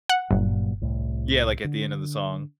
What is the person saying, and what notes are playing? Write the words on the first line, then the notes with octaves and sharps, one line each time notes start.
Yeah, like, at the end of the song?
F#5
G1 G2 A#2 F#3
C2 A2
D3